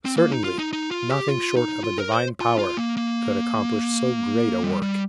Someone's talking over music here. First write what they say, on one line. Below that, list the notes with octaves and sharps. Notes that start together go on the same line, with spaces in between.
Certainly nothing short of a divine power could accomplish so great a work.
C4
A#3
D#4
F4
D#4
D#4
F4
G4
F4
D#4
F4
A#4
C5
F4
F4
A#3
A#3
G3
G3